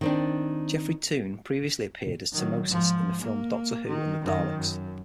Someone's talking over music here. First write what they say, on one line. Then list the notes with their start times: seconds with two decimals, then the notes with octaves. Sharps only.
Geoffrey Toone previously appeared as Temmosus in the film "Doctor Who and the Daleks".
0.01 D#3 C4 D4
2.32 D#3 F#3
2.68 G#2 F3
3.21 A#3
3.87 D#3
4.21 F#2 D#3
4.55 F#2